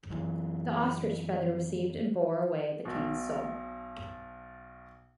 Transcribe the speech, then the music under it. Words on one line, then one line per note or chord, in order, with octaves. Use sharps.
The ostrich feather received and bore away the king's soul.
F#2 E3
B1 B2